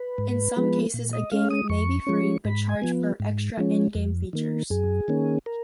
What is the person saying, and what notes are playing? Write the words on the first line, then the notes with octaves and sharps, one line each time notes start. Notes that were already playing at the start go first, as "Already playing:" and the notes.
In some cases a game may be free, but charge for extra in-game features.
Already playing: B4
G#2
F3 G#3 B3
A#2
D#5
G#3 C#4 F5
D#6
F2 C#6
F3 G#3 C#4
G#2 B5
G#5
F3 B3
G#2
F3 G#3 C#4
F2
D#3 A#3
F#2 G#4
D#3 A#3 C#4
A#4